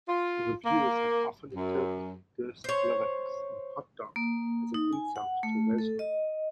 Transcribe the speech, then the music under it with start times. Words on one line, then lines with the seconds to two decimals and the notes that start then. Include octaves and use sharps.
Reviewers have often interpreted Durst's lyrics in "Hot Dog" as an insult to Reznor.
0.08 F4
0.65 A#3
1.55 F#2
2.64 C5 C#5
4.16 A#3
4.74 D#4
4.93 G#5
5.16 F#5
5.43 A3
5.78 A4
5.99 D#5